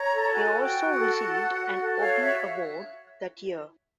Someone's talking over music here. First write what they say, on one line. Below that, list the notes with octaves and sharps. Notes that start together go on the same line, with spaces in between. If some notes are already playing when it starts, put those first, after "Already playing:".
They also received an Obie award that year.
Already playing: C#5 A#5
A4
F#4 G#5
F#4
G5
F#4
F#5
A4
F#4
F#4
F#4
A4
C#5 F5
F#4 E5